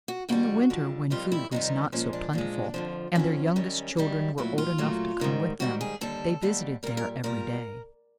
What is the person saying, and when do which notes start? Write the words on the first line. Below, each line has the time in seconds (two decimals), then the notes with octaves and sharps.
In the winter, when food was not so plentiful and their youngest children were old enough to come with them, they visited there every day.
0.08 F#4
0.29 F2 D3 G3 F#4
0.70 F2 D3 G3
1.10 F2 C3 D#3 G3 F4
1.32 E4
1.51 F2 C3 D#3 G3 D#4
1.92 A#2 F3 G#3 C#4
2.13 D4
2.33 A#2 F3 G#3
2.74 F2 D3 F3
3.15 F2 D3 F3 C#4
3.56 F#2 D#3 G3
3.97 F#2 D#3 G3
4.38 A#2 F#3 A3 E4
4.58 F4
4.78 A#2 F#3 A3
5.20 G#2 D#3 G3
5.60 G#2 D#3 G3 F#4
5.81 G#4
6.01 D#2 D3 G3 A4
6.42 D#2 D3 G3
6.83 A#2 G3 A#4
6.97 A#4
7.24 A#2 G3 A#4